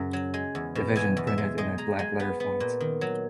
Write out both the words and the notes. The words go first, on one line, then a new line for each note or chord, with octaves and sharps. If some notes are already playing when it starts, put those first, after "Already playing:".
Division printed in a blackletter font.
Already playing: F#2 C#3
F#3
G#3
E2
B2
E2 G#5
E2
E5
G#3
G#3 D#5
G#3 A#5
G#3 G#5
B3
B3
A#2
D#3
F#3